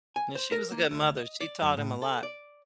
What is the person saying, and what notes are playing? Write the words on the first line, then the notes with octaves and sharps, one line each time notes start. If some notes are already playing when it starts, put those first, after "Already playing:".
Yeah, she was a good mother, she taught him a lot.
G#5
C5
A#4
A#3
D2
D#5
D5
F#2
A2
A4
D5